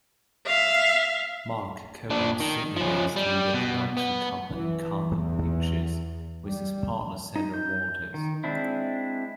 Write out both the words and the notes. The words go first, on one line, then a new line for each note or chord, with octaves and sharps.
Mark co-owns Sydney based media production company Kapow Pictures with his partner Sandra Walters.
E5 F5
A#2 D4
D#3
F3 C#4
G3
B2
B3
E3
E2
G3
D#4
G6
D#3
G#3 C4 D4 E4